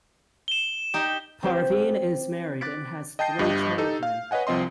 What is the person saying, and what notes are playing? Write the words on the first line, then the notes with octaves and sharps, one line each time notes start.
Parveen is married and has three children.
E7 G7
D#4 G4
C4 G4 C5
D6 F#6 A6 B6 D7
D#5 G5 A5 G6 C7
G1 G2 G4 D#5 G6
D#4 G4 A4
F5
B4 C#5 D#5 F#5 G#5
C2 F3 C4 D#5 C6